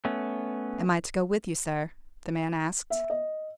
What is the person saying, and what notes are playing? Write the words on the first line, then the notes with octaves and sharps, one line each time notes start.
"Am I to go with you, sir?" the man asked.
A3 B3 C#4
E5
D#5